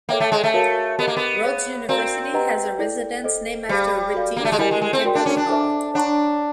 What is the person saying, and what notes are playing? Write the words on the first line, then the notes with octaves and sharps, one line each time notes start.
Rhodes University has a residence named after Retief, in Kimberley Hall.
A#3 A4 C#5 E5 G5
A3
G#3
A3
F#4 A#4 C#5 F5
B3 G4 A#4 D#5
A#3
B3
G#4 C#5 F5
C4 F#4 A#4 D5 F5 A#5
G4 B4 D#5 F#5 A#5
E4 A4 D5
A4 C5 D#5
G3 G#4 C5 F5
F#4 A4 D5 F5
A#3
A3
G#3
G3 E4 G4 A#4 D#5 G#5
G#3
G#3
C4
F#4 A#4 D5 G5 C6
D4
C#4
D4
A4 C5 E5 A5 D6
D4 C#5 F#5 A#5 C#6